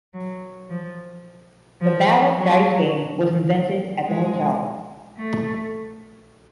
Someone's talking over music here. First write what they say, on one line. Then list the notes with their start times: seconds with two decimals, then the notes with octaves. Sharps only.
The balut dice game was invented at the hotel.
0.14 F#3
0.70 F3
1.81 F3
2.37 F#3
4.05 G#3
5.18 A3